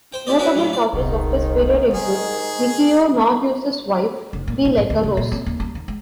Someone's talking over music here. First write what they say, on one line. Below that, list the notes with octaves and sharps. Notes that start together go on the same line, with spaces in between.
Notable talkies of this period include Mikio Naruse's Wife, Be Like A Rose!
C5 G5
E4 G4 D5 D#5
C#4 D4 E4 F#4 B4 E5
F#2 A2 G3 A#3
D5
D#1 C2 G#2 D#3
G#3 G#4
F1
A#2
B1
G#2
D2
C3
A#2
C4
D#2
G3
D#3
G#3